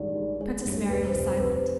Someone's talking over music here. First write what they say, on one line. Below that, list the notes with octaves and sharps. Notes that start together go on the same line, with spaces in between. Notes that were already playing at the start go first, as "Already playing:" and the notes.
Princess Mary was silent.
Already playing: A1 G2 D#3 G#3 D5
G#3
G#3 C#5
G2
C#5
F1 B4
C5
F1
C5
F1 B4
C5